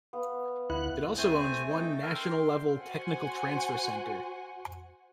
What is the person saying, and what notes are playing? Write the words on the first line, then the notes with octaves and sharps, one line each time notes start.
It also owns one National-level Technical Transfer Center.
B3 F5
D2 E4 F#5 F#6
A3 C4 C5 G#5
A3 D#4 G5
A4 A#4
G5 C6
F#4 C5 F#5 G#5